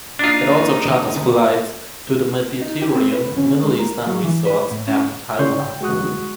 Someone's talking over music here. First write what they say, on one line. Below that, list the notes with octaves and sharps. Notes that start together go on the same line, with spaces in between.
It also charters flights to the Mediterranean, Middle Eastern resorts and Thailand.
A#3 D4 D#4 F4
D#4
G4
C4
B4
C#4
G#3
A#4
F#3
E3
B4
A2
C#4
C#3 C#5 D5 C6 G6
G5
G#3 F#4 C#6 D#6 F#6